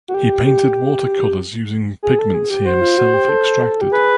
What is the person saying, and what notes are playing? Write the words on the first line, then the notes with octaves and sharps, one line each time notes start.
He painted watercolours using pigments he himself extracted.
F#4
G4
G4
G#4
A4
G#4
G4
F#4 C5
F4
F#4
G4
A4
G4
G#4 B4